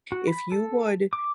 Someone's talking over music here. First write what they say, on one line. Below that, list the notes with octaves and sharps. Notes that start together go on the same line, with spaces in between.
If you would,
F#4
B5
A4
D6